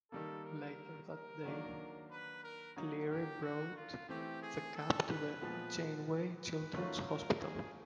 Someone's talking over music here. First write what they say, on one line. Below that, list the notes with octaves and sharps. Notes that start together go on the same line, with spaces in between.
Later that day, Cleary brought the Cup to the Janeway Children's Hospital.
D#3 G3 A#3 A4
A#4
A#4
D#3 F#3 A#3 D4
B4
A#4
D3 F#3 A#3 D#4
G4
F#4
F4
E3 A3 C4 G4
G#4
A4
B4
A#2 F3 G#3 B3
B4
D#3 F#3 A3 C#4 F4
A#4
G#4